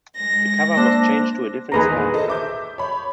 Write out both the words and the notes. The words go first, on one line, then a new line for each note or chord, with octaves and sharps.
The cover was changed to a different style.
G#3 A#6
A#3 D4 C5 E5
E2 A#2 D#3 G#4 B4 A#5
A4 C5 D#5
E5 D6 G6
C#5 B5